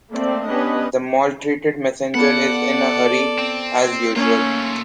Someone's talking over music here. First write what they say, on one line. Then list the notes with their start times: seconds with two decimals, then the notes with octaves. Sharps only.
The maltreated messenger is in a hurry as usual.
0.12 A3 A#3 C4 D5
0.48 B3 C#4 D4 G4 B4 D#5
2.15 B3 F4 A4 D5 F#5
3.38 C4
4.16 A3 A#3 C#4 F4